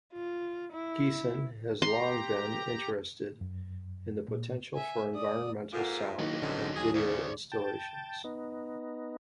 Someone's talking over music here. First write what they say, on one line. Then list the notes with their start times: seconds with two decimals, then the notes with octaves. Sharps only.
Geesin has long been interested in the potential for environmental sound and video installations.
0.13 F4
0.72 E4
1.82 G4 A#5 C6
3.41 F#2
4.28 A#2
4.74 E5 G#5
5.15 D5 D#6
5.73 G#2 A#3 F4 A4 F#5
6.19 D#3 F#3 A#3 D#4 E4
6.41 A#1 G#2 D3 D#3 C#4
6.76 D#2 G#4
6.94 E2 G#2 C#3 C5 D5
7.52 G5 A5
8.24 B3 D#4